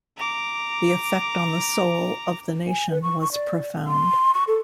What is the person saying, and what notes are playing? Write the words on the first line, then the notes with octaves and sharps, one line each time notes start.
The effect on the soul of the nation was profound.
A#5 D6
G#5
B4
C#6
C#6
D5
C6
C#6
A4